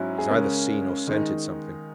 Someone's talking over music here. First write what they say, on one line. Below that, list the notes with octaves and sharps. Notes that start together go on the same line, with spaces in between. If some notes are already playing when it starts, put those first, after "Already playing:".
He's either seen or scented something.
Already playing: G#2 F#3 C#4 E4
G#4
C#3 G#3 C#4 A#4
D#3 G#3 D#4